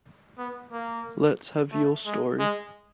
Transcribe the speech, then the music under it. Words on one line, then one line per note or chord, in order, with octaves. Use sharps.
Let's have your story.
B3
A#3
A3
G#3
G#3